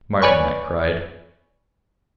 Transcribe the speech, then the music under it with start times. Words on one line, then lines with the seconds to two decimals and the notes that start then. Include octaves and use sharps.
"Martin," I cried.
0.22 B4 C#5 D5 G#5 B5 C#6